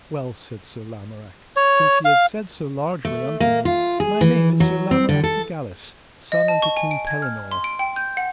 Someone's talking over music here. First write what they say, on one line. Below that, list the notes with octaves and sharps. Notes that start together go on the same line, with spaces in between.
Well, said Sir Lamorak, since ye have said so largely unto me, my name is Sir Lamorak de Galis, son unto King Pellinore.
C#5
F5
A3
A#3
F4
G#4
E3
F#3
C4
D3
A4
D#5
A5
C#6
G#5
D7
G#6
F6
C6
D7
G5
G6
F#5